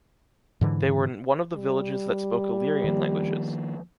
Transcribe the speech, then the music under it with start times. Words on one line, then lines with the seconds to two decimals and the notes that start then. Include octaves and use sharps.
They were one of the villages that spoke Illyrian languages.
0.61 G#2 D3 E3
1.55 G3
2.84 D#3 F3 A#3